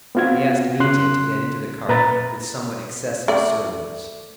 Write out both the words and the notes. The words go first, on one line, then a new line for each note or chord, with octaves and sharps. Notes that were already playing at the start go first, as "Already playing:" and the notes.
He asked Mitya to get into the cart with somewhat excessive surliness.
B3 C4 F4 F#4 G#6
C#3 C6 F#6
A#2 B4 A#5 B5 A6
A3 D5